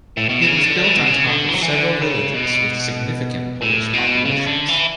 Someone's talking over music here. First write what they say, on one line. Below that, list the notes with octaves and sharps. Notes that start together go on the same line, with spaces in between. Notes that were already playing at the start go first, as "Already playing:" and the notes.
It was built on top of several villages with significant Polish populations.
A2
B2
C#3
D3
E3
B2
C#3
D3
E3
F#3
E3
D3
C#3
B2
A2
B2
C#3
D3
E3